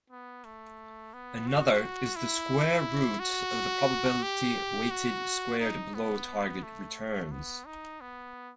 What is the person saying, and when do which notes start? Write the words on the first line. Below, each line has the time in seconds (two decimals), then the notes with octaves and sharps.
Another is the square root of the probability-weighted squared below-target returns.
0.10 B3
0.45 A3
1.13 B3
1.48 F#4
2.16 E4
3.20 F#4
4.23 G4
4.91 F#4
5.60 D#4
5.95 B3
6.63 A3
7.32 B3
7.66 D#4
8.01 B3